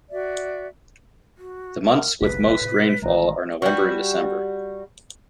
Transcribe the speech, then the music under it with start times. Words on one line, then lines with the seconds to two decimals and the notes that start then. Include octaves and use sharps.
The months with most rainfall are November and December.
0.10 F#4 D5 E5
1.38 F#4
1.89 A#4
2.21 F#1 B1 B4 B6
2.61 A2 C3
3.02 A1 D#3 G#3 A#5
3.62 G3 F#4